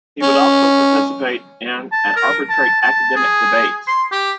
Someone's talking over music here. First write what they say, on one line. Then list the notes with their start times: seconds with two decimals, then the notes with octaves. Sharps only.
He would also participate in and arbitrate academic debates.
0.22 C#4
1.92 A5
2.16 A#4
2.49 A5
2.82 A5
3.16 G#4
3.87 C6
4.12 G4